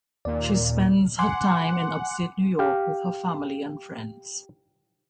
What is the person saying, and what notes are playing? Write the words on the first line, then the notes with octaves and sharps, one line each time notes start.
She spends her time in upstate New York with her family and friends.
D#2 A#2 D5
F#5 G#5 C6 D6
G4 F5